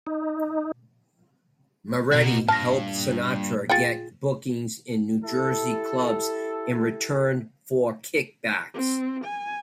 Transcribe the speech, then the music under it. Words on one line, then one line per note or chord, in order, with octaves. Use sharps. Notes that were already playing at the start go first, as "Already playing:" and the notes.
Moretti helped Sinatra get bookings in New Jersey clubs in return for kickbacks.
D#4
B2 F#4 A#4
G2 A#2 A5 F6 A#6
F4 G#4 G5 A6 C#7 D7
E4 G4 A4
C4
G#5